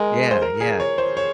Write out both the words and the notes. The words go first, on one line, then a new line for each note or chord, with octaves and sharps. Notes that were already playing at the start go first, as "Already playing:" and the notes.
Yeah, yeah.
Already playing: G#3 A#4
C5
A#4
G#4
C#5
C5
C#5